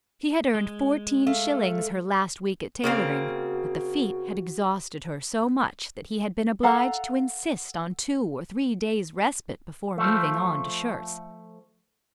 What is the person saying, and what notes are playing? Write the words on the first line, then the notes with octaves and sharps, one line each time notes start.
She had earned fourteen shillings her last week at tailoring, but the feat had exhausted her so much that he had been obliged to insist on two or three days respite before moving on to shirts.
G#3
A3 F5
C#3 A#3 C4 F#4
A4 F5 F#5 A#5
F3 A3